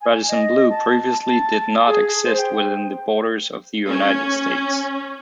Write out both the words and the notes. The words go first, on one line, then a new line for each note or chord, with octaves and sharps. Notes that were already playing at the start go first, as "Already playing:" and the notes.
Radisson Blu previously did not exist within the borders of the United States.
G#5
D#5
A5
A5
G#4
C5
G5
C#4